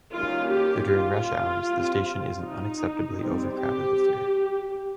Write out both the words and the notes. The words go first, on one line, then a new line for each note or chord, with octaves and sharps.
Though during rush hours the station is an unacceptably over crowded affair.
D#3 G3 A#3 C#4 F4
G4
F4
G3 C4
D#4
G3 C4
G4